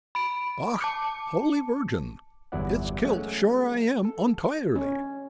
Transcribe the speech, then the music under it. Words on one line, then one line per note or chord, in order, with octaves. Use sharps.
"Och! holy Vargin! it's kilt sure I am ontirely!"
B5 D7
A5 D6 C#7
G1 E2 F#3 E4 D5 F#5
F#3 G#3 A3 C#4
A4
C#4